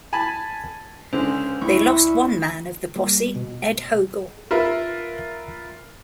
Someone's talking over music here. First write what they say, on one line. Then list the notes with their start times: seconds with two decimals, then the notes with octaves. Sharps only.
They lost one man of the posse, Ed Hogle.
0.13 G#5 A5 B5
1.13 C#2 D3 C#4 C5
1.62 D2 E4 C#6
2.96 G3 A#3
3.36 B2
4.51 F4 A#4 B4 E5